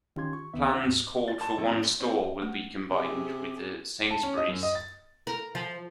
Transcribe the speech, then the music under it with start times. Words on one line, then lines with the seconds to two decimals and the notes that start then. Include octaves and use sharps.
Plans called for one store will be combined with a Sainsbury's.
0.16 D#3 C#4 F4 G4 C6 G#6
0.33 C#6
0.54 C#2 D#3 B3 E5
0.67 G4 C5 F#5
0.85 D#2 G#2
1.28 A6
1.41 A5
1.58 F2
1.70 A1
1.84 G7
2.00 C4
2.42 A3
2.91 C3 G4 G#4
4.11 A5
4.23 C#4
4.37 D#5
4.49 F#2
4.63 D#5
4.75 A6
5.27 A#4
5.55 F3